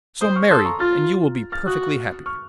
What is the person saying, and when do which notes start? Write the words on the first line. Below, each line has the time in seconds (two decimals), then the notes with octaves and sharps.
So marry, and you will be perfectly happy.'
0.21 C5 C6 D#6
0.36 C#6 F6
0.50 A4 C6 D#6
0.65 A#5 C#6
0.80 F4 F6 A6
1.52 F6 A6
1.67 F#4 D#6 F#6
2.26 C#6 F6